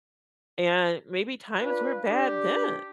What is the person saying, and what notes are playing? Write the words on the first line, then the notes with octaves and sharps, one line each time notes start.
And maybe times were bad then,
D4 F4 B4
D4 G4